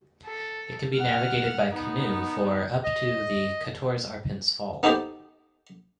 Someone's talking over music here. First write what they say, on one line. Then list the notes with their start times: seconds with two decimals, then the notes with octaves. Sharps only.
It can be navigated by canoe for up to the Quatorze Arpents Fall.
0.25 A4
0.94 F#5 F6
1.71 B3 D#4
2.84 D#5
4.83 B3 D#4 E4 G4 A4 C5